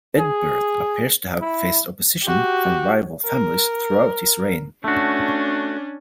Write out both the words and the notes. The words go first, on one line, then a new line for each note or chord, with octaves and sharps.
Eadberht appears to have faced opposition from rival families throughout his reign.
G#4
E4
F#4 G4
A#4
A3 C#4 D4 F#4